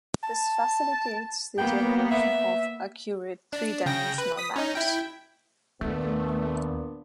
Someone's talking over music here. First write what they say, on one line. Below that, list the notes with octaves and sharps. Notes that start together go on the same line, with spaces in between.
This facilitates the generation of accurate three-dimensional maps.
A5
A#3 B3 G5
E5
D4
C#3 G5 A#6
B4
D#6 B6
C#4 D#4
E4 G5
D#2 A#2 A3 B3 D4